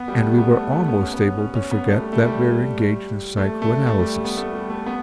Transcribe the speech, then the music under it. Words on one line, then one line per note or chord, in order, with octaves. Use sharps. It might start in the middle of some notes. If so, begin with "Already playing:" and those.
And we were almost able to forget that we are engaged in psychoanalysis.
Already playing: B3
G3
A3
B3
A3
A3
B3
C#4
B3
C#4
C#4
B3
A3
G3
A3
G3
A3
A3
A3
G3
B3
A3
G3
A3
B3